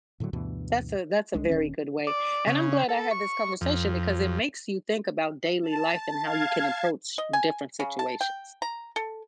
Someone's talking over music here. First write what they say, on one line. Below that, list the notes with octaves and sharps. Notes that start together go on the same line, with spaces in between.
that's a that's a very good way. And I'm glad I had this conversation because it makes you think about daily life and how you can approach different situations.
A2 D3 F3 F#3
D2 G2 B2 E3
C2 G#3 D4
D#1 C2 D#3 C#4
D5
C#3
A4
C#6
F2
A5
F5 A5 G#6
D#5
G#5
C#3
A5
G5
A#5
A4